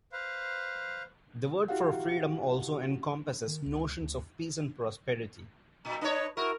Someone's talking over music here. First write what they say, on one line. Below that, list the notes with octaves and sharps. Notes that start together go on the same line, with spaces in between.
The word for freedom also encompasses notions of peace and prosperity.
B4 C5 F5
E4 F#4 G4 F5 F#5
D#3
C#2
D2
A#2 D#4
D4 B4 C#5 D#5
E4 F#4 A#4